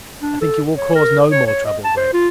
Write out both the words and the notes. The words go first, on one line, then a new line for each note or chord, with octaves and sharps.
"I think you will cause no more trouble, Gregg?"
D4
A4
C#5
A#4
C#5
C#5
D#5
A5
C5
F4